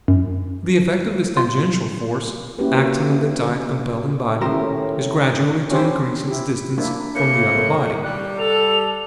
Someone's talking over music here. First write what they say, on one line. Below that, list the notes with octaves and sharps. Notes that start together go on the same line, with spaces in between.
The effect of this tangential force acting on the tide-compelling body is gradually to increase its distance from the other body.
F#2
F4
A#3 C#4 E4 F#4 G4 B4
A2 D#3 C#4 E4 G4 A#4 C5
C#4 D4 E4 G4 C5
E4 G4
A#3 D4 E4
A2 A#3 C#7
G3 F#6
A4 F7